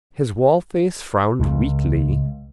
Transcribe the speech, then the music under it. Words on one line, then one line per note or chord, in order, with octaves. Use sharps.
His wallface frowned weakly.
C#2